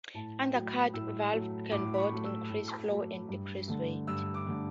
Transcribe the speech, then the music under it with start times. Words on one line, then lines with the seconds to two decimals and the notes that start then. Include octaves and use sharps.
Undercut valves can both increase flow and decrease weight.
0.14 A2 A5
0.41 G5
0.53 F#3
0.59 A3
0.67 B5
0.94 A2 E6
1.33 F#3 A3
1.71 A2 D6
1.94 B5
1.98 C#6
2.12 F#3 A3
2.25 E6
2.50 A2
2.90 F#3 A3
3.29 G2
3.68 D3 A3
4.07 G2 E6
4.34 D6
4.46 D3 A3